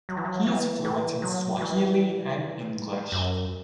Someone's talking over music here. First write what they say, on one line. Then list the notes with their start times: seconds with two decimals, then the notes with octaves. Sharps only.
He is fluent in Swahili and English.
0.09 F#3
0.17 E3
0.25 F#3
0.47 E3
0.85 E3
1.22 F#3
1.61 E3
3.12 F#2